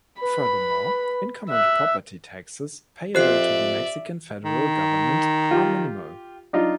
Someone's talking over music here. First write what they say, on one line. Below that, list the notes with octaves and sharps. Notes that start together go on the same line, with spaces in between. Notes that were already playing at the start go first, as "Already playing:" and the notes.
Furthermore, income and property taxes payable to the Mexican Federal Government are minimal.
B4 B5
E5 F#6
F2 G4 C5 D5 E5 F#6 C7
D#3
F4 G4
D4 D#4 F4